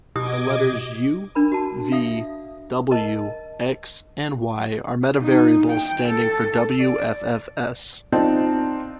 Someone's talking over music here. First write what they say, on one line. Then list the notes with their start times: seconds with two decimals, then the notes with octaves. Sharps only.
The letters "U", "V", "W", "X", and "Y" are metavariables standing for wffs.
0.16 B2 E4 G4 D#5 D6 D#6 G#6
1.35 D4 A#4 B5
1.52 F#4 A5
1.92 E5 F5 D#6
2.91 A#4 D#5 A5
5.22 D#4
5.73 G5
6.09 A4
6.80 D5
8.12 C4 D4 D#4 F4 A5